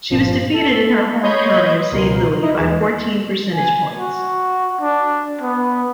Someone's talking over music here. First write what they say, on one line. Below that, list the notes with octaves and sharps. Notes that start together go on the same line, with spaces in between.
She was defeated in her home county of Saint Louis by fourteen percentage points.
G1 A#2 F3
A4
C#5 D#5 B5 C6 G6 G#6
C#2 B2 A#4 C6
D#4 E4 D#5
D#2 E3 G#3
G#5
F#4
D4
B3